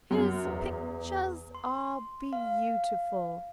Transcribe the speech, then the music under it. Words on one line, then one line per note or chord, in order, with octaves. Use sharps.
His pickchahs are beautiful.'
F#2
E2
C6
F5